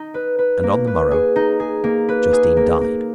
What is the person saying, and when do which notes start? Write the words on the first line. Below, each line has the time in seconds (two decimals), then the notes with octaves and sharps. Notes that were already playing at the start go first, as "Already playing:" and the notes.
And on the morrow Justine died.
Already playing: D#4
0.14 B4
0.39 B4
0.63 A#3
0.87 B4
1.11 G#4
1.36 D#4
1.60 G#4
1.84 A#3
2.09 B4
2.33 G#4
2.57 A#3
2.81 A#3